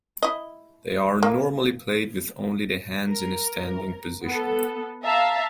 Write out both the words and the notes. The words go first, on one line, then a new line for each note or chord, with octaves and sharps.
They are normally played with only the hands in a standing position.
E4 D#5
A#3
A#4
B3 A4
E5 F5 A5 A#5